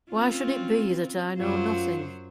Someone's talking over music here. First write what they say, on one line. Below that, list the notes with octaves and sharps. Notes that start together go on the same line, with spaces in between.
Why should it be that I know nothing?
C4 C#4 F4
F#2 F#3 F4 C5